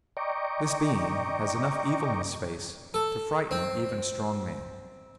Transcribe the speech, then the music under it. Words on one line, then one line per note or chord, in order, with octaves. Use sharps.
This being has enough evil in his face to frighten even a strong man.
D5 D#5 G5 A#5 C#6 D6
A4
C4